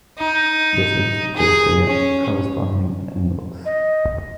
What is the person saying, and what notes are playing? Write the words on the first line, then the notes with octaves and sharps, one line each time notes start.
This is because they are corresponding angles.
D#4
G#4
C#4
D#5